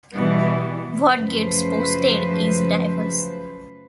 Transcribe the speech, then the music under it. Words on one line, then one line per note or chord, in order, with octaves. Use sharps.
What gets posted is diverse.
B2 E3 G3 B3
F#2 C#3 F3 A3 B4 C5